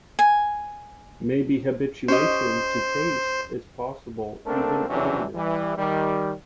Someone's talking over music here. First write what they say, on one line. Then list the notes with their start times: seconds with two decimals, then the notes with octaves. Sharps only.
Maybe habituation to taste is possible even earlier.
0.19 G#5
2.08 C#4 G4 C5 D#5
4.46 A3 A#3 C4 D4 A4 A#4
4.88 F2 C3 E3 F#3 C#4 D4
5.35 E3 G3
5.77 D#3 G3